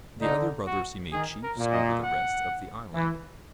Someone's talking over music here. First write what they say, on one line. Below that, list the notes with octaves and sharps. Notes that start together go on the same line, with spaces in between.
The other brothers he made chiefs over the rest of the island.
D3 D#4
F#4
D#3 G#4
A#4
A#2
D#5
F#5
E3